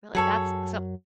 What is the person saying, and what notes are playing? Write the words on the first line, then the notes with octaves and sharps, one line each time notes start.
Really? That's so
F#2 F#3 G#4 A4 C#5